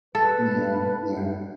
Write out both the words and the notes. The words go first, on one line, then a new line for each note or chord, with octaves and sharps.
Yeah, yeah.
A4 B4